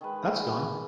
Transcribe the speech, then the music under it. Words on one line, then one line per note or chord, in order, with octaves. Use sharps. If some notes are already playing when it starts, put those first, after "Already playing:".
That’s done.
D#3 G#3 B4